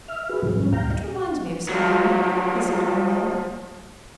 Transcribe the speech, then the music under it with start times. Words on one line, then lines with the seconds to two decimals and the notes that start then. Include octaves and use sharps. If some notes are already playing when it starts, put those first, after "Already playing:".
"It reminds me of something," he said one day.
0.08 E5 F6
0.29 F#4 G#4 B4
0.42 A2 C3 F3 F#3
0.60 G#2 G3 C#4
0.73 D#2 A#2 F5 G5 A#5
1.69 F3 F#3